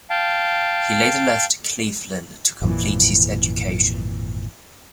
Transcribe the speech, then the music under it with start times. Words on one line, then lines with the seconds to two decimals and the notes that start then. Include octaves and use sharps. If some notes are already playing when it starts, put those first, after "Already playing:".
He later left Cleveland to complete his education.
0.10 F5 G5 A5
2.62 G#1 F2 A#2 E3